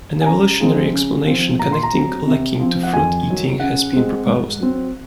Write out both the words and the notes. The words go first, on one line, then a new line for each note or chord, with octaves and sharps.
An evolutionary explanation connecting lekking to fruit-eating has been proposed.
G#5
C#3 A#5
F3 G#3 C4
C#3
F3 C4
A#2 A#5
C6
A#5
F#3 C4
C3
F3 C4
F#5
F2 G#5
D#3 F#3
C#3 F#5
G#3 C4
G#2
F#3 C4